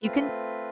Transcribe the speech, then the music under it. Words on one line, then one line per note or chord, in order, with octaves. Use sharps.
You can
A3 C4 F4 B4